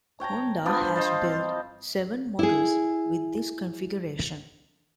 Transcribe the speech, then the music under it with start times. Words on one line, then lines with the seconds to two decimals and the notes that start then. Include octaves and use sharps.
Honda has built seven models with this configuration.
0.20 C#5 G5 A5 A#5
0.65 F3 G3 B3 D4
0.77 C5
0.95 C5 D#5 F5 A5
1.24 C4
2.39 E4 G#4